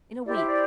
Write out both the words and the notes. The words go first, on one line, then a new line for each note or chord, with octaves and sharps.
'In a week.
E4 G4 C5 D5
E5
D5